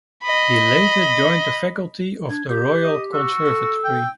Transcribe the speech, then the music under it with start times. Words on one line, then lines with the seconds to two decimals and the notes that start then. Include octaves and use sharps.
He later joined the faculty of the Royal Conservatory.
0.23 D#5 B5
2.30 D4 G#6
2.49 G4 G6
2.83 D#5
3.13 F#4 E6
3.46 A4
3.84 G5